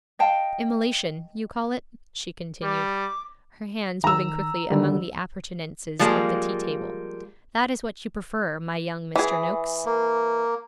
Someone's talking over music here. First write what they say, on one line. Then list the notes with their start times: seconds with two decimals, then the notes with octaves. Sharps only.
Immolation, you call it?' she continued, her hands moving quickly among the appurtenances of the tea-table. 'That is what you prefer, my young Mr. Noakes.'
0.19 D#5 F5 G5 A5
2.63 G3 D6
4.04 D#3 A#5 E6
4.70 D3 D#3 G3
5.99 F3 G3 G#3 A#3
9.16 E3 G#4
9.86 A#3